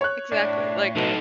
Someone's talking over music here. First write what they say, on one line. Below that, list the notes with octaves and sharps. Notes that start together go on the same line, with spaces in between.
Exactly. Like,
C#5 F#6
A2 D4
B2 D#4 A4